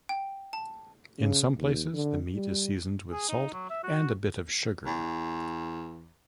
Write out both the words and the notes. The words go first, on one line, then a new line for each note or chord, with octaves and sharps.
In some places, the meat is seasoned with salt and a bit of sugar.
G5
A5
C#3
D#2
D3
G3
G#4
D#4
F#3
E5
F#4
E2